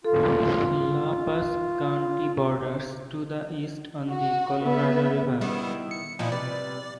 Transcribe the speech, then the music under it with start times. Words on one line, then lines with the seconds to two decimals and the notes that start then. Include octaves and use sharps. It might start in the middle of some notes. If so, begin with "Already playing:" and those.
La Paz County borders to the east on the Colorado River.
0.05 F4 A4
4.11 F#4
4.64 B3 B4 E5
5.41 D#3 G3 B3 E4
5.91 C#7
6.19 A#2 F3 D#4 E4 F5
6.32 C3 G3 B4 D5